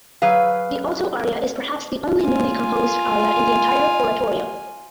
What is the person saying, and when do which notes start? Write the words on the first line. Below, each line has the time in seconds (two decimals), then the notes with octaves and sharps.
The alto aria is perhaps the only newly composed aria in the entire oratorio.
0.22 F#3 G#4 B4 F5
2.22 F4 G#5